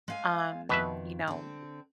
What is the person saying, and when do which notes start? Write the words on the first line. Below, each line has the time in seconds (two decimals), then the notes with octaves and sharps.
um, you know,
0.08 G#3 F5 G#5
0.69 F2 B2 D#3 B4 E5
1.28 D3 C4